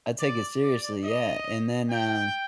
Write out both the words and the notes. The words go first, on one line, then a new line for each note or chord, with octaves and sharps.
I take it seriously, yeah, and then, um
D5
D5
D#5
G5